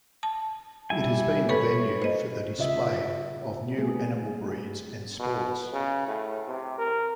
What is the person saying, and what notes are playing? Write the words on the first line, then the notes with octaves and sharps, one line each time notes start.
It has been the venue for the display of new animal breeds and sports.
A5
G3 E4 G#5
A4 B4 C#5 B5
C5 D#5
C#3 F4 D#5 E5
G3 A3 B3 C4 G#4
B2
C#3
A2
C3
A#4